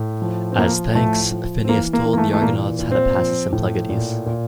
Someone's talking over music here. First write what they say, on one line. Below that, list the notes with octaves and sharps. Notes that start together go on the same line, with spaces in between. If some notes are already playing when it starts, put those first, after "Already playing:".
As thanks, Phineas told the Argonauts how to pass the Symplegades.
Already playing: A2
F3
C4
F3 A#3
A2 A3
F3
C4
E3 A#3
A#3
E3
A#3
A3
A3
A#2 A#3
A#2
C4
F3
A2
A#2
A#2